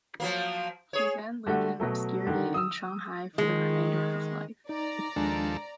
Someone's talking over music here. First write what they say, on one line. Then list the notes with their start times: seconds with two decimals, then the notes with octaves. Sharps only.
He then lived in obscurity in Shanghai for the remainder of his life.
0.20 F3 F#3 A#3
0.93 G#4 C#5
1.46 D3 G3 A3 F#4
1.80 B2 F#3 A3
2.27 D3 D#3
2.54 D#6 E6
3.38 D#3 G#3
4.69 D#4 D5 A#5
5.16 D#2 F3 G#3 D4 A4 G#5